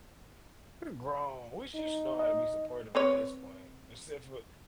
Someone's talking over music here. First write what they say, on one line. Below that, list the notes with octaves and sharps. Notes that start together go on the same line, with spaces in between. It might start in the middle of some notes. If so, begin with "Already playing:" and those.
We're grown. We sh should know how to be supportive at this point, except for,
D#4
D#5
C4 B4 C#5